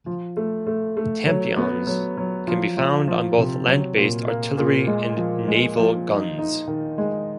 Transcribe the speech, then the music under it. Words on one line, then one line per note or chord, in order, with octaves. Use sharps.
Tampions can be found on both land-based artillery and naval guns.
F3
A3
A3
A3
F#3
B3
F#3
F#3
F3
F3
F3
C3
F#3
A#2
A#3
A#2
G#3
F3
G#3
F3
D#4
D#4
D#3
G#3